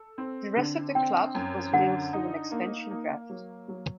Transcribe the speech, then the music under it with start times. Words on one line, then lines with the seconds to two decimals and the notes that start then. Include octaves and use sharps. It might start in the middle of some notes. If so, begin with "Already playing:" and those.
The rest of the club was built through an expansion draft.
Already playing: A4
0.18 C4
0.57 D3
0.95 C4 G5
1.35 F#2
1.73 D3 F#5
2.13 D#4
2.51 A#3
2.91 A#3
3.30 F#3
3.68 F#3